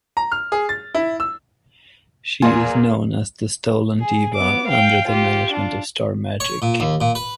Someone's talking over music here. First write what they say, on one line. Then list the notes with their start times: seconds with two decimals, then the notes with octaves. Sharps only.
She is known as "The Stolen Diva", under the management of Star Magic.
0.17 A#5
0.32 F6
0.52 G#4
0.69 A6
0.94 E4
1.20 E6
2.42 E2 A#3 F4 G#5
4.00 G#4
4.35 B3 D6
4.68 F5 G5
5.08 F4 G4
5.52 D4 F4
6.40 C#5
6.62 A#2
6.80 D#2
7.01 A#2
7.15 B4